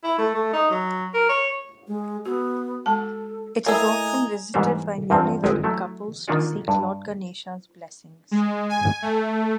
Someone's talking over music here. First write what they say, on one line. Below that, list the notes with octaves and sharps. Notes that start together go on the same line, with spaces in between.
It is often visited by newly wedded couples to seek Lord Ganesha's blessings.
E4
A3
A3
D#4
F#3
A#4
C#5
G#3
B3 F#4
G#3 A4 A5
A3 A#3 E4 G#4 D#5 E5 G#5 A#5
G#2 E3 G3 B3 A#4 C5
E2 G2 F3 C4
G1 G#3 C4 G4 G#5
F#3 A3 E4
D#3 A#3 D4 F4 F#4 D5
G2
G#3
G#5
A3